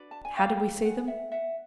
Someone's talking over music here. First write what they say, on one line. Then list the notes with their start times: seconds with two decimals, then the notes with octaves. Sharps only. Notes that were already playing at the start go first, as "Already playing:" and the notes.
How did we see them?
Already playing: D4 F#4 B4 D5
0.11 A5
0.25 G#5
0.37 F5 G5
0.85 F#5 G#5
1.08 E5 F#5
1.32 E5 F#5